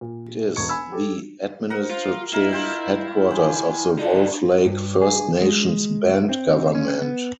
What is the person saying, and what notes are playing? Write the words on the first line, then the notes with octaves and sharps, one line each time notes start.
It is the administrative headquarters of the Wolf Lake First Nations band government.
A#2
E1 C#6 G#6 C#7
G#5 B5 E6 G#6
G4 A4
A#4 C5 D#5 F#5
F4
E4 D#5 F5 A#5
F4 G5
G#3 G5 G#5
D#4 A4 D5
G2
G#4
G#3
C4
C#4
B3